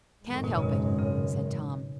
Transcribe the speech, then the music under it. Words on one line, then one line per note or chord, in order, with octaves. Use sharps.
"Can't help it," said Tom.
G#1 F#2 D#3 G#3
A2
B2
C#3
B2
C#3